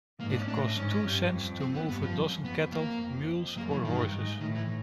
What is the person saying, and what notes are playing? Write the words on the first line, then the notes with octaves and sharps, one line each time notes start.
It cost two cents to move a dozen cattle, mules or horses.
G#2 A#3
D4
C#4
A2 D4
G#2 C#4
G2
F2
C4
B3
G2 B3
F3
F#2
F2 B3
A#3
F2
F#2 A#3
E3
G2 D#3
G#2
A2 D#3
E3